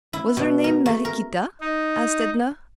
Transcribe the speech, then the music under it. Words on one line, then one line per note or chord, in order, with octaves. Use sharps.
"Was her name Mariequita?" asked Edna.
E4
B2
A#4
A3
A#4
D#4